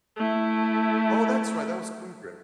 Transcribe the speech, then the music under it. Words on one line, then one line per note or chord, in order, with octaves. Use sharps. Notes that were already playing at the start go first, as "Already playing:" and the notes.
Oh, that's right, that was Kubrick.
A3 E4